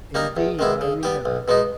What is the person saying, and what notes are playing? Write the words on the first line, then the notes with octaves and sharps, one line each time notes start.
"Indeed I remember."
G3 A#3 D#4 A#4
E2
D#3 G#3 B3 E4
C#3
G3 B3 G4
B1
B2 G#3 B3 D#4